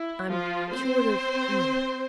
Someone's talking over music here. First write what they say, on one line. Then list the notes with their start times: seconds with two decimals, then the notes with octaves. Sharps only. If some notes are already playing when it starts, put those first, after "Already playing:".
I'm cured of--Nita.
Already playing: E4
0.30 F3 F4
0.74 C4 C5